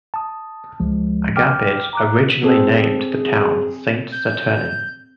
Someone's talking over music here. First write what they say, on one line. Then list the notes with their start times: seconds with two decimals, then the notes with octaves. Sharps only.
Agapit originally named the town Saint Saturnin.
0.14 A5 D#6
0.80 C#2 F3 G#3
1.36 G5 D6 F6
1.93 A#5 D6 F#6
2.43 C4 G#4 A4
4.12 G6